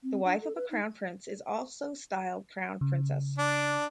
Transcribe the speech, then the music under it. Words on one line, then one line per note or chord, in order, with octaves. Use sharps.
The wife of a crown prince is also styled crown princess.
C4
D4
A4
B4
D#4
C#3
D4